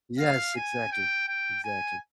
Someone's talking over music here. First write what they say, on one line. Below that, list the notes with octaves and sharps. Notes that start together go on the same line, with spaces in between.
Yes, exactly, exactly.
F5
G#5
G5
G5
G#5